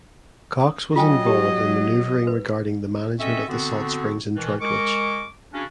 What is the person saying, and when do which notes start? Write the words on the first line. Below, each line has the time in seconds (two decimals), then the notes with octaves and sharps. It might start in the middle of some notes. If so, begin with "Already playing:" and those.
Cocks was involved in manoeuvring regarding the management of the salt springs in Droitwich.
0.61 D#6
0.96 F#3 F4 D#5 G5 G#5
1.26 G4
2.27 B4
3.19 C4 C#4 F#4 A4 D#5 E5
3.48 D3 B3 C4 F#4
4.36 B2 D#3 E3
4.60 G#3 A#4 C#6 D6
5.53 C#3 C#4 D4 F#4